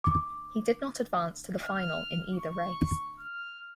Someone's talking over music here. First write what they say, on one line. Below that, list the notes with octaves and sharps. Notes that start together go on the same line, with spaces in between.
He did not advance to the final in either race.
D6
F6
C#6
F6